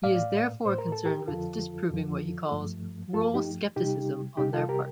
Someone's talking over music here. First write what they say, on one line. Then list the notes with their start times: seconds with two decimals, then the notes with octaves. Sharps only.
He is therefore concerned with disproving what he calls "rule scepticism" on their part.
0.03 A2 A3 D5 F5
0.65 A2 A3 C5
0.78 A#4
0.92 A4
1.05 G4 A#4
1.28 F2 D3 F3 F4 A4
1.90 F2 D3 F3
2.51 G2 F3 A3
3.13 G2 F3 A3 F4 A4
3.34 D#4 G4
3.76 C3 G3 D#4 G4
4.37 C3 G3 D#4 G4
4.53 F4 A4
4.69 G4 A#4